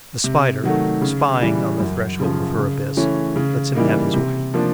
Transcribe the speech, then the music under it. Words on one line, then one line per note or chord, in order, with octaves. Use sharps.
The Spider, spying on the threshold of her abyss, lets him have his way.
C3
D#3 F#3 A3
C#3
E3 G3
F#2
C#3 F3
C#3
E3 A3 C#4
C#3
E3 G3 A#3 D#4
C3
F3 A#3 D4